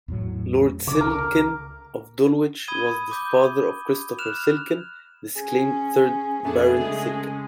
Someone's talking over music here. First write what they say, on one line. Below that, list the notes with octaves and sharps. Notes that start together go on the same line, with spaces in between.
Lord Silkin of Dulwich was the father of Christopher Silkin, disclaimed third Baron Silkin.
E2 A2 F#3
C#3 D4 D6
C#2 A#4
B5 D#6 G#6 D#7 G7
D6 G6
F6 F#6 E7 F7
C#4 G#4
F2 A3 B3 D4 G#4
C#3 G#3 C#4